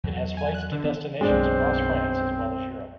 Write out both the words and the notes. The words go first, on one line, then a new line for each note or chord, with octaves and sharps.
It has flights to destinations across France as well as Europe.
E2 F#3
G#5
F#6
D3
E3 B3
B1 F#2 G#3 C4 D4 C5